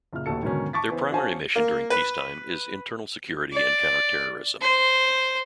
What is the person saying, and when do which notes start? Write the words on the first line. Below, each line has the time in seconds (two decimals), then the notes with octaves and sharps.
Their primary mission during peacetime is internal security and counter-terrorism.
0.13 F#1 A#2 F6
0.26 A1 D#2 A#2 F#4 A4 C#7
0.43 G#2 B2 D3 D#3 F#3 C#4
0.73 A5 C#6 D6 A6 B6
0.91 E3 B3 C5
1.11 C#4 F#4 C5 F5 G#5 A5
1.56 A#3
1.90 B4
3.52 D5
4.62 C5